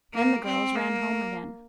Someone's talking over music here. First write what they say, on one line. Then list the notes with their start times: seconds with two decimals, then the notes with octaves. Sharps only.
Then the girls ran home again.
0.14 A#3
0.45 C4
0.76 A#3